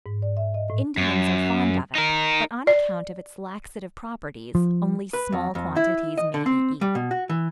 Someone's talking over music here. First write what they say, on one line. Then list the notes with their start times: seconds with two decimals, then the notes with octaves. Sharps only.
Indians are fond of it, but on account of its laxative properties only small quantities may be eaten.
0.06 G#2
0.22 D5
0.37 E5
0.54 D#5
0.70 A2
0.97 F#2
1.95 D#4 A#4
2.67 D5
4.55 F3
5.13 B4
5.32 F2
5.55 F2
5.76 E4
6.18 D#5
6.34 D3
6.46 C4
6.81 G3
6.95 B2
7.11 F#4
7.29 E3